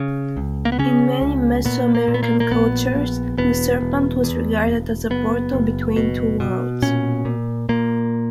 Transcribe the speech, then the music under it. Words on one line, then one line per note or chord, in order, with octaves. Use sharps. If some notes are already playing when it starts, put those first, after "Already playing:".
In many Meso-American cultures, the serpent was regarded as a portal between two worlds.
Already playing: C#3
C#2
A#3
B3
C#3 C#4
C#2
A#2 B3
A#3
A#2
B3
A#3
A#3
A#1 B3
A#1
E1 B3
E1
E2
E1
F#1 B3
F#1
B2
B2
A#2 C#4
A#2
A#2 A#3